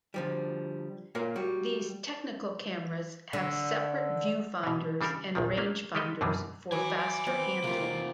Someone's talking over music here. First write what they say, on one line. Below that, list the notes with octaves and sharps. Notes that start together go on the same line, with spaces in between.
These "technical cameras" have separate viewfinders and rangefinders for faster handling.
D3 F3 G3
A#2 A#4 C#5 F5
G3 F#4
D3
B2 E3
C#3 G3 D4 A4 A#4
A#1 E2 D#3 F3
A3 A#3 C#4 D4
G3 G#3 G4 A4 D#5
F#2 B2 D3 E3 F#3 G3
F#3 B4 G#5 D6
D6
B3 C4
C3 A#3 F4 G4